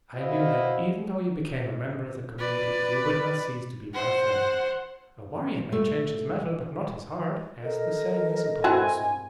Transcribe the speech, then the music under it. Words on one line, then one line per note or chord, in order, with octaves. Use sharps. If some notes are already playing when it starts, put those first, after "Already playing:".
"I knew that even though you became a member of the community you would not cease to be my friend; 'A warrior may change his metal, but not his heart,' as the saying is upon Barsoom."
E4 F#4 C5 D5 D#5 F5
B4 D5
C5 F#5
A3
A4 A#4 D#5
C4 E4 F#4 G#5